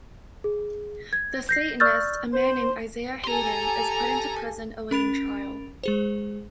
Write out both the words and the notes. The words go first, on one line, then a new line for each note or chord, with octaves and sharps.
The Satanist, a man named Isaiah Haden, is put into prison awaiting trial.
G#4
G#6
G6 A#6 C7
D5 C#6 E6 F6 G6 A6
C5
G4 A4 G#5 A#5 C6
C#4 A#4 B5 A6 D7 F7
G#3 G#4 C5